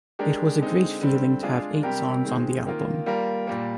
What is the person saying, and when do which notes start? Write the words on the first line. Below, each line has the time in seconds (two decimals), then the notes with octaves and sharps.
It was a great feeling to have eight songs on the album.
0.19 G#3 D4 G4 A#4
0.60 D3 G#3 C4 D#4
1.01 D3 G3 C4
1.43 G#3 D4 F4 G#4
1.83 C3 G3 C4 G4 A#4
2.25 D#3 G#3 C4
2.65 D#3 A#3 F4 A#4
3.06 G3 A#3 F4 A#4
3.47 A#2 G3 A#3